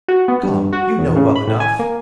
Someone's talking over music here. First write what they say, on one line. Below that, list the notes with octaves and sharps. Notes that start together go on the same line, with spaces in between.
"Come, you know well enough."
F#4
B3
G2
F#4
E2
C#3
B5
A2
G#5
A#3